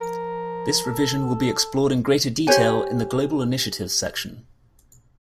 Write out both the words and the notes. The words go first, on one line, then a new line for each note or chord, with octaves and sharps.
This revision will be explored in greater detail in the "Global Initiatives" section.
F3 A#4
A4
G4 C5 C#5 G#5